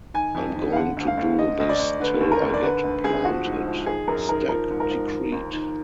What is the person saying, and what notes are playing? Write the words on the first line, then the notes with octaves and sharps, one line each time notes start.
"I'm going to do this 'til I get planted," Stack decreed.
D#3 G#5
F2
D#3
F5
D3 F#5
D2
F5
D2
D3 D#5
D2 D#5
D5
D2
D3 B4
D#2
A#4
D#2
D5
D3 B4
D2
D2 G#4
F3 F#4
G#2
F3
D#3 G#4
F#2 A#4
D#3 A#4
F3 A#4
G#2
A#4
F3
D#3
D#2
D#3